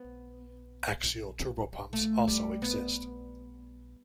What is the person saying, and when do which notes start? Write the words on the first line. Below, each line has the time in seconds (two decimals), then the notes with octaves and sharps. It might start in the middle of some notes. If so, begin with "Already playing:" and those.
Axial turbopumps also exist.
Already playing: B3
1.93 A3
2.28 G3
2.62 B3